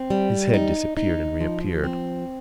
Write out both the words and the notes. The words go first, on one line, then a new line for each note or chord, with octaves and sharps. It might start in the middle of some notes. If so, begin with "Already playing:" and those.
His head disappeared and reappeared.
Already playing: C4
G3
D#4
D#4
F3
C4